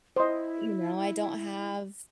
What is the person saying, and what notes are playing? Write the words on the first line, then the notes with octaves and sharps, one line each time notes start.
you know, I don't have
E4 C5 D#5